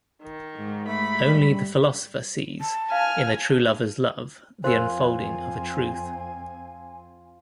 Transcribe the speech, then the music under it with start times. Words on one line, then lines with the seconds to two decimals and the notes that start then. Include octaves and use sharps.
Only the philosopher sees in the true lover's love the unfolding of a truth.
0.22 D#3
0.56 G#2
0.88 A3 B5
1.28 G3
2.61 A5
2.92 F5 G#5 F6
4.64 F2 C4 F4 A#4 C5 G#5